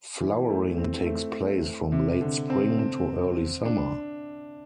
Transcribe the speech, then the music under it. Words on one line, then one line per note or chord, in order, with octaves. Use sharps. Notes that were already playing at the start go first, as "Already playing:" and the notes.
Flowering takes place from late spring to early summer.
E3
A3
C4
A3
C3
D3
C4
C4
D4